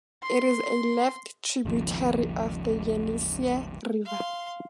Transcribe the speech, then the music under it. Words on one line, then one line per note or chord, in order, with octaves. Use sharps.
It is a left tributary of the Yenisei River.
C6
G#1 D#2 C#3 F3
F5 C6